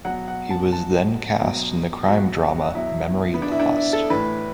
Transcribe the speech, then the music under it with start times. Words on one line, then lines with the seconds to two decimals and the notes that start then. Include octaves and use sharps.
He was then cast in the crime drama "Memory Lost".
0.05 B2 F#3 F#5
0.28 F#5
0.50 A5
0.72 A5
1.41 B2 F#3
2.07 F#4
2.75 B2 F#3 E4
3.34 B3
3.42 D4
3.52 E4
3.60 D4
3.76 E4
3.93 A4
4.10 A2 E3 B4